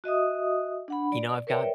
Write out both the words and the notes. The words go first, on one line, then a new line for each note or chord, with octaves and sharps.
you know, I've got
F#4 D#5 E5 D#6
D4 F#5 B5
D5
A#4 B4 C#5 D5 E5 G5